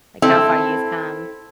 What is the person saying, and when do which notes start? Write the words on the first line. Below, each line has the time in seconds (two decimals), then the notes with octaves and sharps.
like, how far you've come
0.22 C4 E4 A4